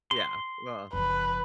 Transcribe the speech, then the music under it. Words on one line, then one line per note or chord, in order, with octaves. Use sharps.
Yeah, well
C6
F#1 F3 B4